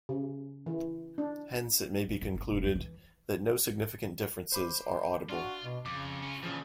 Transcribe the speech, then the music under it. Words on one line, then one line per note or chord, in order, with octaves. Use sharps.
Hence it may be concluded that no significant differences are audible.
C#3
E3
D4
F3
F2
G1
E1
F2
E3
C5 B5 D6
D4 F4 F#4
B2
F2 C#3 D6
C#4 F4
A#1 C#3 E3 F3